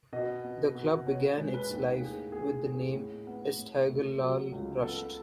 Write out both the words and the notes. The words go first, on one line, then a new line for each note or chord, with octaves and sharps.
The club began its life with the name, Esteghlal Rasht.
B2 D#5
B3
B2
B3 C#5
G#3
B4
D#2
A2 G#4
B3 G#4
A2 G#4
A2
B3
A2
A3
F#3
C#2
B3 A4